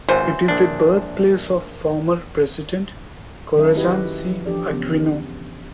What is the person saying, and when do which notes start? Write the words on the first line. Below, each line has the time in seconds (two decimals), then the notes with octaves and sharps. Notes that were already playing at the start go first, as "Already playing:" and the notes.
It is the birthplace of former President Corazon C. Aquino.
0.08 G#1 E3 F#3 C5
0.48 A#1 D4
3.56 D#3 F#3 C#4 A4 E5
3.75 E4 F#4 G4 A4 B4 D#5
4.28 F3
4.46 E3 F3 D4 G4 A4 D5
4.72 C#3 B3 C#4